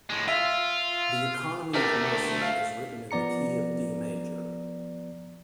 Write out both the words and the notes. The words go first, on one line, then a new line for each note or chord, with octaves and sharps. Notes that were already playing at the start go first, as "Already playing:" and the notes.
"The Economy of Mercy" is written in the key of D major.
A2 G#3
F4 E5
D2 A3 G4 A#4
F5
F3 B3 D5 A#5 C#7